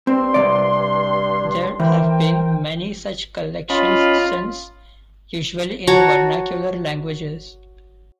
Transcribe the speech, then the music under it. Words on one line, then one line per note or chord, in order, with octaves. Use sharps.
There have been many such collections since, usually in vernacular languages.
G2 C4 C6
C2 C3 D5
E3 A#4 C5 G5
C#4 F4 D#5 B5
F#4 C#5 A5 A#5